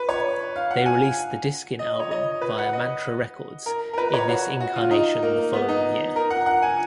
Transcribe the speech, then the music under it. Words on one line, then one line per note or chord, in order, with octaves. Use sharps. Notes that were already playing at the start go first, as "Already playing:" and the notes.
They released the "Diskin" album via Mantra Records in this incarnation the following year.
Already playing: B4
C#5
F5
F#5
G#5
D#5
C#5
D#5
B4
F#5
D#5
A#4
A#4
B4
C#5
F#4
F#4
F4
D#4
A#3
B3
D#4
A#4
F#5
F#5
G#5